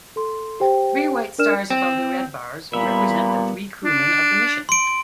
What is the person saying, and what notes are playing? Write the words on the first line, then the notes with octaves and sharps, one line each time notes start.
Three white stars above the red bars represent the three crewmen of the mission.
A4 C6
G4 C5 G5
D4 A#4 D5 F6 E7
C4
A#2 G3 B3 E5 B5
D4
C6 D7